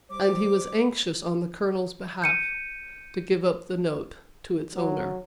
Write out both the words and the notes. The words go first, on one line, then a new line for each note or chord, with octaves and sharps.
And he was anxious, on the Colonel's behalf, to give up the note to its owner.
G3 C5 D6
G6 C#7 D#7
F#3